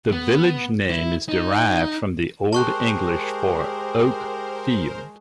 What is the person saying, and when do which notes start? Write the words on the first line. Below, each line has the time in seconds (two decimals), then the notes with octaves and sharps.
The village name is derived from the Old English for "Oak Field".
0.12 B3
0.90 E4
1.29 D#4
2.53 G#3 G4 G#4 A#4 C5 A5 C#6 F#6